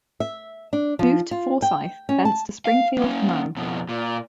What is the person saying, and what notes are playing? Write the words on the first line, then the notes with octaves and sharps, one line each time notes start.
Moved to Forsythe, thence to Springfield, Mo.
E5
D4
F3
F4
G5
C#4
A5
F5
A#3 C#4
F2 B2
A#2